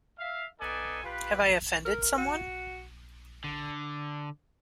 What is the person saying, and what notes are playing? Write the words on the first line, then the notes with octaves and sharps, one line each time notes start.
Have I Offended Someone?
E5 F5
B3 D#4 A4 D5 G#5
F4 G4 B4
A#4
F#4
D3